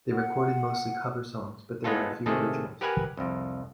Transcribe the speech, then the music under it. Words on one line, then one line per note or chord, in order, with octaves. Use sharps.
They recorded mostly cover songs, but there were a few originals.
F#5
G#3 B3 D#4 F4 A4
C3 D#3 G#3 A3 G#4 A4
G4 A#4 B4 F#5 G#5
C2 F2